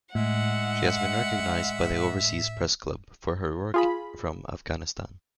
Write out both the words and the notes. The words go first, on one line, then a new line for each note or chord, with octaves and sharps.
She has been recognized by the Overseas Press Club for her work from Afghanistan.
A2 G#3 E5 F#5
F4 G#4 B5